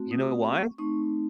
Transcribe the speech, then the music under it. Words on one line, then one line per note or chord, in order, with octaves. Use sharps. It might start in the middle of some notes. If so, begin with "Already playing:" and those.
you know why?
Already playing: A3 C4 F#4
D#6
C#6
A3 C4 D#4 C#6